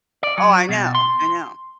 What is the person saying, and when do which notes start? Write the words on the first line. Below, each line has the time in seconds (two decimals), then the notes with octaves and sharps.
Oh, I know, I know.
0.23 D5
0.38 F#3
0.69 B2
0.95 C6